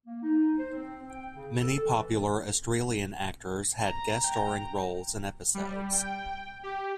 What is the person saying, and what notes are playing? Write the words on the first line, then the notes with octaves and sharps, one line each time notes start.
Many popular Australian actors had guest starring roles in episodes.
A#3
D#4
C5
C4
G5
C#3
A4
E3
A#5
G5
G3
G5
G4